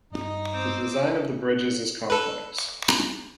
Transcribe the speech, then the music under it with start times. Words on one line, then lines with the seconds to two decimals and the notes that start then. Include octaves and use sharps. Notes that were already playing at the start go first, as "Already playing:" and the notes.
The design of the bridges is complex.
0.12 G2 D#4 D#5
0.54 C4 C5 D6 E6
2.10 A4 B4